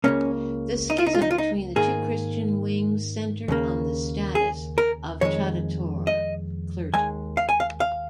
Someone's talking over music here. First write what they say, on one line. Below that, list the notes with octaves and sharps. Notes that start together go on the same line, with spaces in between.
The schism between the two Christian wings centered on the status of traditore clergy.
C#2 C#3 A#3 C#4
D#4
F4
D#4
F4
D#4
F4
D#4
G#2 D#3 A#3 G#4
D#2 C#3 A#3
G#4
A#4
F2 D#3 G#3 C#5
D#5
D#2 D#3 G#3 G#5
F5
G#5
F5
F5